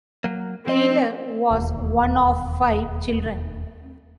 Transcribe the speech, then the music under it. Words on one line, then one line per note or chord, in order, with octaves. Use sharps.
Keeler was one of five children.
F#3 A#3
F3 C4 D#5
E1 D#2